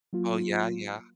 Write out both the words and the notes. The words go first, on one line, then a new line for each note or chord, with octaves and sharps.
Oh, yeah, yeah.
F#3 A#3 F4